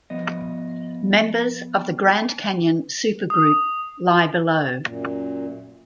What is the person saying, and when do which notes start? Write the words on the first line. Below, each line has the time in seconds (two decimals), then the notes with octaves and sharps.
Members of the Grand Canyon Supergroup lie below.
0.10 F3 B3 D#5
3.30 D#6
4.83 F#2 A#2